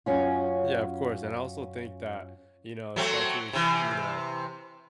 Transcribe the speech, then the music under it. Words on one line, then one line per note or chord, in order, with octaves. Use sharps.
Yeah, of course, and I also think that, you know, especially if you know,
F#2 C#4 F4
F#3 A3 C4
C3 E3